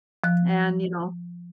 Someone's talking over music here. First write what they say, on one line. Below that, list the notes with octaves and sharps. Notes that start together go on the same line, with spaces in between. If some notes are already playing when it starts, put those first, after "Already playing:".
And, you know,
F3 F#6